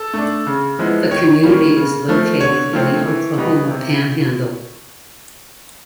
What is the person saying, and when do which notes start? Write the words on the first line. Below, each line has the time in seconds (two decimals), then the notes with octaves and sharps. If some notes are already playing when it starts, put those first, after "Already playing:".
The community is located in the Oklahoma Panhandle.
Already playing: A4
0.14 A3 D4
0.47 C#3
0.79 F3 G#3 B3 E4
1.11 D#3 C#5
1.43 G3 A#3 C#4
1.76 C#3
2.08 F3 A3
2.41 D3 C#5
2.73 F3 A3 C4
3.05 E3
3.38 G3 B3 D#4
3.70 C3